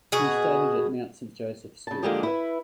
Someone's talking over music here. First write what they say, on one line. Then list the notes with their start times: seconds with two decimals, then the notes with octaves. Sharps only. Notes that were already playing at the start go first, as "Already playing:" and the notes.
He studied at Mount St Joseph School.
0.12 B2 F#4 G#4
1.87 C#3 A5
2.03 D3 F3 G#3 A#3 G4 G#4
2.23 E4 B4 E5